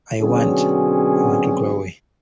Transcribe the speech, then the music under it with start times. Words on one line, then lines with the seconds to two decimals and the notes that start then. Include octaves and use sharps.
I want... I want to go away.
0.22 B2 D3 F#3 C4 C#4 G#4